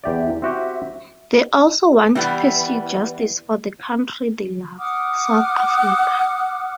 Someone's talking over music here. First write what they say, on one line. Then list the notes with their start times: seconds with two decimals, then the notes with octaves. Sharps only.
They also want to pursue justice for the country they love, South Africa.
0.04 E2 G4 D5 E5
0.26 E4
0.42 C4 F#4 G4 E5
2.15 E3 G3 B3
4.79 F#5 D6 D#6 F6